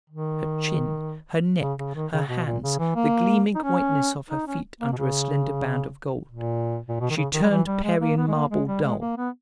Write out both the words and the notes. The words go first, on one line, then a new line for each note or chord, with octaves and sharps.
Her chin, her neck, her hands, the gleaming whiteness of her feet under a slender band of gold; she turned Parian marble dull!
D#3
C#3
C#3
D#3
C#3
B2
A#2
C#3
E3
A#3
D#4
C#4
D#4
C#4
A#3
B2
C#3
A#2
A#2
B2
D#3
C#3
D#3
G3
E3
G3
G#3
A#3
B3
G#3
A#3
G#3
G3
G#3
A#3
B3